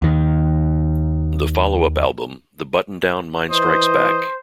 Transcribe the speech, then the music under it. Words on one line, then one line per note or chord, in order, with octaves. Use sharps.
The follow-up album, The Button-Down Mind Strikes Back!
D#2 D#3
E3 C5 D#5